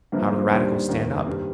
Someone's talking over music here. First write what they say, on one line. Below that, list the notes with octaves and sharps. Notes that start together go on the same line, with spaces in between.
"How do the radicals stand up?"
G1 G2 F3 A#3
C5
D#2 D#3 G3 D4 C5
F1 D#2 D#3 A#3
G2 D#3 G3